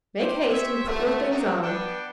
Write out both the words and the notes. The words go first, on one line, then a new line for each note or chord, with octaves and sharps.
Make haste and put your things on.'
G4 C5
G4 C5 C#5 E5
A#2 D3 F#3 A3
F#2 C3 F#3 A3 D4 D#4
B3 D4 G5